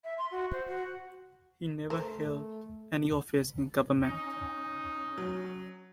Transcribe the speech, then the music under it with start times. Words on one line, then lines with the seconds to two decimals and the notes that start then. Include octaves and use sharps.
He never held any office in government.
0.04 E5
0.18 C6
0.31 F#4
0.52 C5
0.68 F#4
1.90 A3 A#4 C5
4.03 C#4 D#4
5.18 F#3